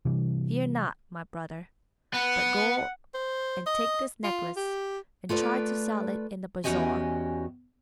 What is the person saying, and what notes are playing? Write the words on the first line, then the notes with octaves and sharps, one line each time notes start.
"Fear not, my brother, but go and take this necklace, and try to sell it in the bazaar."
C3 E3 G3
B3 F#5
C5
D#5
F4
G4
A3 F4 B4 D5
E2 C#4 F#4 G4 D#5 G#5